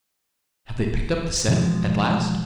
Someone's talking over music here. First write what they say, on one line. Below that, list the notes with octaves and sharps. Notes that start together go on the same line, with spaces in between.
"Have they picked up the scent--at last?"
B2 E3 F3 G#3